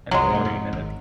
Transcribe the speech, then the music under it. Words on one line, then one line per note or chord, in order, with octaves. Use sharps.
and morning, and it
C2 F3 F#3 G#3
C3 A3
G#2
G#1